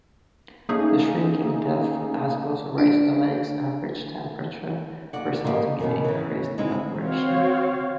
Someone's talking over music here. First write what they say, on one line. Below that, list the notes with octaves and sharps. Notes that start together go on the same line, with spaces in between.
The shrinking depth has also raised the Lake's average temperature, resulting in increased evaporation.
A3 A#3 C#4 D#4 G#4
D4
D#2 F#4 D5 F#5
F2 A#3 C4 F4 G4 D#5
B2 D#3 F3 A#3 C#4
C#3 E3
G#3 C4 D#4 E4
C4 F#4 C#5 F5